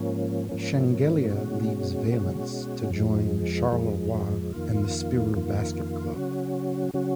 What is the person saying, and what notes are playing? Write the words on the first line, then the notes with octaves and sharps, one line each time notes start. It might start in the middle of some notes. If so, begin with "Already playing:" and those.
Shengelia leaves Valence to join Charleroi and the Spirou Basket Club.
Already playing: G#2 F3 A#3 C#4
G#2 F3 A#3 C#4
B2 G#3 C#4 F#4
B2 G#3 C#4 F#4
F2 F3 G#3
F2 F3 G#3
F2 D#3 A#3 F4
F2 D#3 A#3 F4
C#3 F#3 C#4 F#4
C#3 F#3 C#4 F#4